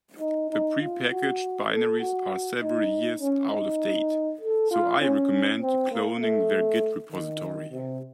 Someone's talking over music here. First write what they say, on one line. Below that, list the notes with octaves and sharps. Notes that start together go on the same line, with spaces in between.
The prepackaged binaries are several years out of date, so I recommend cloning their git repository.
D#4
D#4
F4
F#4
A4
F#4
D#4
C#4
D#4
A4
F4
C#4
C4
A#3
A3
D#3
C3